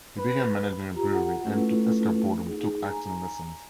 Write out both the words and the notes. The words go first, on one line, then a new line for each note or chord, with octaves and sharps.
He began managing a brewery and, to escape boredom, took acting lessons.
B4
F4 G4 A#5
F4 F#4 A4 F#5
A3 C#4 E4 F4 A4 B4
D#4 G#4
G#5 A#5